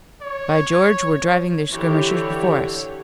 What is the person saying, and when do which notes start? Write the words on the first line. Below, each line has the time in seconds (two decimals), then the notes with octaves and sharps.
By George, we're driving their skirmishers before us!
0.22 C#5
1.71 D3 E3 G4 C#5